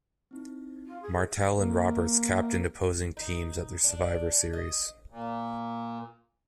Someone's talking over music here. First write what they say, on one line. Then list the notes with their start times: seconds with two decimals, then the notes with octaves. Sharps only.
Martel and Roberts captained opposing teams at the Survivor Series.
0.31 C4 D#4 E4
0.86 F4
1.02 G#4
1.59 A#3
3.17 D#4
3.84 D4
4.53 D#5
5.10 A#2